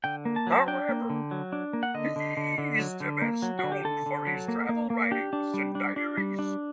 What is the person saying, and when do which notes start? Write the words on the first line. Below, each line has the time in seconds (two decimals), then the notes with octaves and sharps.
However, he is best known for his travel writings and diaries.
0.04 D3 G5
0.25 A#3
0.36 A5
0.47 F#3
0.52 A5
0.68 D4 G5
0.89 A#3
1.10 D3
1.31 F#3
1.52 D4
1.73 A#3
1.83 F#5
1.94 D3 D#5
2.16 D3
2.37 D3
2.58 D3
2.79 F#3
3.00 D3
3.22 A#3
3.42 F#3
3.59 D3 F#4
3.72 G4
3.84 D3 A4
4.06 D3
4.27 F#3
4.48 A#3
4.69 A#3
4.90 A#3
5.11 D4 G4
5.33 D4
5.54 G3
5.75 D4
5.96 D4
6.17 G3
6.39 D4